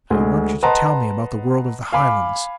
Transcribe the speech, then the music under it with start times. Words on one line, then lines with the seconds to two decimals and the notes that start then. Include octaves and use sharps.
I want you to tell me about the world of the Highlands.
0.10 D2 G#3
0.63 B4 D#5 F#5 A5 A#5 C6
1.93 F5 G#5 B5 D6